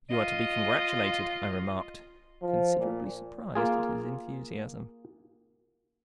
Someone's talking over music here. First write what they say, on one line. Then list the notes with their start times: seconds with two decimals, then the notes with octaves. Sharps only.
"You are to be congratulated," I remarked, considerably surprised at his enthusiasm.
0.10 F4 D#5
2.42 F3
2.79 A#2
3.55 A#3 F4 G#4